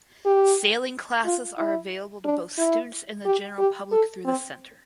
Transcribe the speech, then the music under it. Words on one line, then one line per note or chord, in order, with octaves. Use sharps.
Sailing classes are available to both students and the general public through the Center.
G4
F4
E4
D4
E4
G4
G4
A4
C4